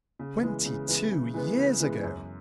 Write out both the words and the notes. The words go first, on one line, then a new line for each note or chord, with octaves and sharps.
Twenty-two years ago!
C#3
E3 G#3 B3
C#3
E3 G#3 B3
C#3
E3 G#3 B3
C#3
E3 G#3 B3
F#2